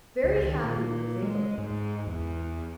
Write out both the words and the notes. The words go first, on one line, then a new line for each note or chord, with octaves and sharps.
Very happy were they both.
C#2
D#3
A#2
G#3
G#2
E2